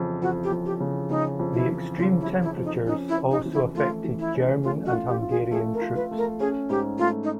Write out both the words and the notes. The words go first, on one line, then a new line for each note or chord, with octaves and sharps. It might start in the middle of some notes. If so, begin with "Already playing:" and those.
The extreme temperatures also affected German and Hungarian troops.
Already playing: F2 C#3 E3
F2 F#4
G4
F2
G4
C#3
C#3 D#4
F2
E4
E3
C#3 F4
E4
E3
E4
F2
D#4
C#4 D#4
E4
C#4
D#4
E3
E4
A3 F4
E3
E4
C#4
A3 F4
F#4
F4
G4
F4
G#4
A3 G#4
A#4
F4
B4
A3
A#4
C#4 G#4
G#2 G4
A3 F4
D#4